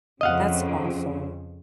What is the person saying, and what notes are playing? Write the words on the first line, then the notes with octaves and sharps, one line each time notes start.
That's awful.
F2 C#3 D#5 F5 F#5